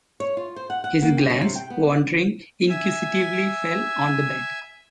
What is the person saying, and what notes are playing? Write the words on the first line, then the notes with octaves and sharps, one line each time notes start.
His glance, wandering inquisitively, fell on the bed.
C#5
F4
C5
F#5
F#5
A#3
G5
C#4
C3
G5
B3
E5 G#5